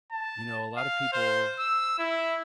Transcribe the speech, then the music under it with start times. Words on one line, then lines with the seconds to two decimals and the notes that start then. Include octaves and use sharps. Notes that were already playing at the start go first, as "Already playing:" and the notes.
you know, a lot of people,
0.12 A5
0.77 F5
1.13 C5
1.59 E6
1.99 E4